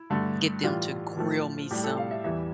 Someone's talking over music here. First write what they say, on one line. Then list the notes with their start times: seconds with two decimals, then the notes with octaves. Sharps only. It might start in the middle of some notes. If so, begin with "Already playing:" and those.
get them to grill me some,
Already playing: E4
0.10 G2 D3 A3
0.63 A2 E3 G3 F4
1.17 A2 F3 A3
1.71 A2 G3 G4
1.84 A4
1.97 F5
2.11 E5
2.24 E2 E3 G3 E5